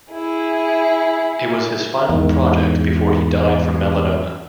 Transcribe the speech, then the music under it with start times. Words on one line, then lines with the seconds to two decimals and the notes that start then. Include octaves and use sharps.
It was his final project before he died from melanoma.
0.12 E4 G#4
2.09 E2 G#2